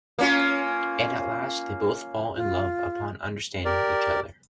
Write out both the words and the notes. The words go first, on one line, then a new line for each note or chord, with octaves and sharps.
And at last they both fall in love upon understanding each other.
A#3 C#4 F4
F4
G4 A#4 D5